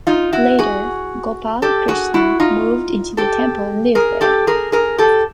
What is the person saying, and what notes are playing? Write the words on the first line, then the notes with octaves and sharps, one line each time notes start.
Later Gopal Krishna moved into the temple and lived there.
D#4 F4
E4 F#4
F#4 G#4
G4 A4
F#4 G#4
E4 F#4
D#4 F4
G4 A4
G#4 A#4
G4 A4
G#4 A#4
G#4 A#4
G4 A4